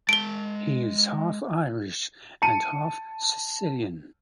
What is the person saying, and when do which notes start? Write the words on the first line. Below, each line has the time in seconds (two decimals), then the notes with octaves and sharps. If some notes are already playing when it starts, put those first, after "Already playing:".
He is half Irish and half Sicilian.
0.09 G#3 A5 D7 G7
2.42 A5 C#7 D#7